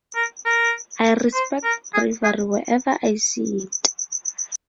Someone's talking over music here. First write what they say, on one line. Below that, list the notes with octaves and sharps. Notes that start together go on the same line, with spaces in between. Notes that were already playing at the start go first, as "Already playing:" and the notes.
I respect bravery wherever I see it.
A#4
A#4
C5
A#4
G#4
G#4